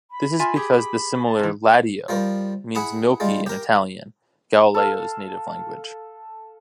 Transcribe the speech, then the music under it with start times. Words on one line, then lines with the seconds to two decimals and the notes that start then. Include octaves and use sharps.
This is because the similar "Latteo" means "Milky" in Italian, Galileo's native language.
0.11 B5
0.39 F4 E5 G#5
0.56 G4 G#4
1.26 A5
1.39 C3 E3
2.08 F3 G3 A#4
2.75 E4 G#4 F#5 B5
3.20 G3 G#3 F4
3.46 G4 A#4
4.74 A4 F5